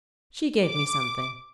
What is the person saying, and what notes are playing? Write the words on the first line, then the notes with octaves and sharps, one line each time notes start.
She gave me something.'
D6